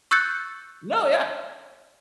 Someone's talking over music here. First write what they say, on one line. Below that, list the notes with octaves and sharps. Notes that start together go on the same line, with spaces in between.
No, yeah.
C#6 E6 F#6 G6 A6 C#7